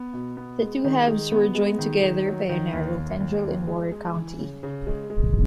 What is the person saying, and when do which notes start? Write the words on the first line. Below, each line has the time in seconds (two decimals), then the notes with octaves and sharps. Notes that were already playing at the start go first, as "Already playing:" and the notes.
The two halves were joined together by a narrow tendril in Waller County.
Already playing: B3
0.13 B2
0.37 B3
0.60 G#3
0.84 D#3
1.08 G#3
1.32 B3
1.55 G#3
1.79 D#3
2.02 D#3
2.26 F#3
2.49 D#3
2.73 D#2
2.97 D#2
3.20 D#2
3.44 D#2
3.67 G#3
3.92 G#3
4.16 E3
4.39 C#3
4.63 C#3
4.87 G#3
5.10 G#3